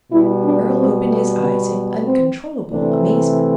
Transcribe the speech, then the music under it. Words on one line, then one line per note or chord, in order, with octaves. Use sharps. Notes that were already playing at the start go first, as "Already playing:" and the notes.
Earle opened his eyes in uncontrollable amazement.
B2 G3 E4
D4
C4
A3
B3
C4
C3 E3 A3 D4